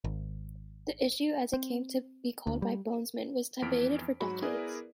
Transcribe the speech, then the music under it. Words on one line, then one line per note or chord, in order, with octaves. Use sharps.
"The issue", as it came to be called by Bonesmen, was debated for decades.
G#1
C4
D2
G3
F2 E3 B3 F6 B6 D7
G#2 F#3 F#4 B5
B3 E4 G#4 A#4 B4 D5